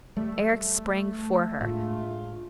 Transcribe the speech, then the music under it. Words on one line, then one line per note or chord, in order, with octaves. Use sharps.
Eric sprang for her.
G3 A3
A2 G#3 D4 F4